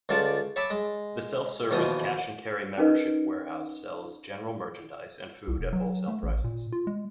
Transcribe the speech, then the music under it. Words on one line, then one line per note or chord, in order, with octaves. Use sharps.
The self-service, cash-and-carry, membership warehouse sells general merchandise and food at wholesale prices.
C#2 D3 F4 D5 A5 C#6
C#5 E5 A5 B5 D6
G#3
D#2 B2 E3 F3 D#6
C#4 D#4 A#4 B4 D#5
C2
E1
F#3
A3
A1
A#2
F4
G#3